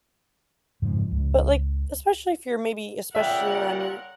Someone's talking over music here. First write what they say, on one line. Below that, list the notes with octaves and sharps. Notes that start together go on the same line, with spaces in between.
but, like, especially if you're maybe especially around your
F2 G#2 C#3 F3
C#2
A#2 C#3 G3 A#4 E5 F#5 G5